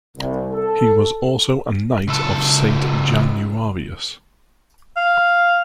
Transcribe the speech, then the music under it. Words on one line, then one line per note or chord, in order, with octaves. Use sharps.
He was also a Knight of Saint Januarius.
C2
A4
C#2 A4
F5